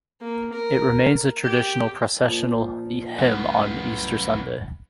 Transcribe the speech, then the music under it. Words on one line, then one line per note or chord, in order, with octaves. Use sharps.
It remains a traditional processional hymn on Easter Sunday.
A#3
A#4
G4
A#2 F3
C2 F#2 A2 B3